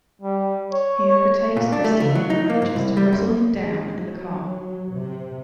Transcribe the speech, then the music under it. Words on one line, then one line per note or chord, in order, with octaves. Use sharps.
He overtakes Christini and manages to wrestle him down in the car.
G3
C#5
C#5
A#2
D4
A3
C#2
F#3
D#4
A#3
G#2
C2
G3
F#2
G#3
F#3
C3